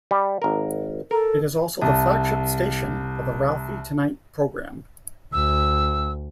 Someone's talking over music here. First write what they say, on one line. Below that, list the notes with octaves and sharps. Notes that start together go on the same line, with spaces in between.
It is also the flagship station of the "Ralphie Tonight" program.
G3
G#1 A#4
A4 A#4
C2 A5
D2 E6